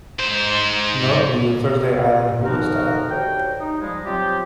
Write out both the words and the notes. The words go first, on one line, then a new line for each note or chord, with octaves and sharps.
Notably the Thursday Island 'hula' style.
G#2 C5
D2 D#3 F3 D#4 F#4 A#4
D2 G4 C#5 G5
D#4
F3 G3 G#3
C3 F#3 C4 F4 G4